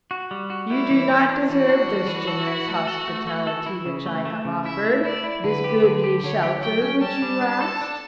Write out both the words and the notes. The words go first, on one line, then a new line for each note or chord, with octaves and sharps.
You do not deserve this generous hospitality which I have offered, this goodly shelter which you asked.
F#4
G3
F#4
G3 E4
E3
E3
D4
E3 F#4
D4
G3
E3
A4
E4
A3
A4
A3
A3
A4
E4
C#3
A3
A3
C#3
E4 E5
A3
E4 D5
E4
D3 B4
G4
D3
G4
D3 C#5
G4
F#3 G5
C#4
G3 A5
G3
D4
A4
D4